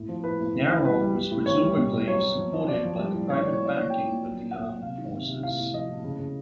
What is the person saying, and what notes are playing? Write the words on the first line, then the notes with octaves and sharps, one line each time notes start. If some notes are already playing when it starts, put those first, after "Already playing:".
Naro was presumably supported by the private backing of the armed forces.
Already playing: A2
F3
A2 B4
A2
C#3
E3
G3 B4
G3
G3
A2
E3 C#5
G3
B2
B2
F#3 C#5
F#3
F3
F3
F3 D5
F3
G3
A2
A2 C#5
A2 D5
C#5
F#3
D5
A#2 C#5
F#3 G5
A#2
F#3
A#2
A#2 F#5
F#3
C3 F5
D#3
C3
C3
A2 F5
A2
F3 D#5
A2
C#3
C#3